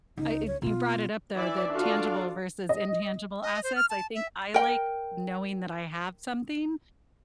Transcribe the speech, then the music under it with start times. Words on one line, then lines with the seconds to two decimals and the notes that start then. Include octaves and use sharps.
I it you brought it up, though, the tangible versus intangible assets, I think I like knowing that I have something,
0.18 C#2 D#4
0.47 C#5
0.62 B2 B3 F4
1.35 E3 D5 E5
1.72 D4 F4 F#4 A4 D5 F5
2.69 D#5
3.42 D#5
3.64 C5
3.76 F6
3.90 A5
4.15 E5
4.54 A#4 G5